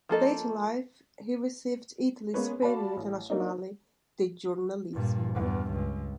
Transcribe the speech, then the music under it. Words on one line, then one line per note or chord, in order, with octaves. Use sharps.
Late in life he received Italy's Premio Internazionale di Giornalismo.
F3 A#3 A4 D#5
G#3 A#3 B3 C#4 B4 C#5
F#4 D5 F5 A5 B5
A1
F#3 A#3 D4 D#4
G2 A#2
E2 G2
C#2